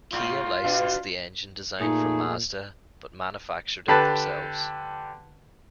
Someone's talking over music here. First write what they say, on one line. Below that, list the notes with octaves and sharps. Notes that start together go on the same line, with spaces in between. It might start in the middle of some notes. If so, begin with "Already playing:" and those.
Kia licensed the engine design from Mazda, but manufactured it themselves.
G#2 F4
B2 D4 F5
A#2 A3 D#4 G#4
D3 G4 B4 A5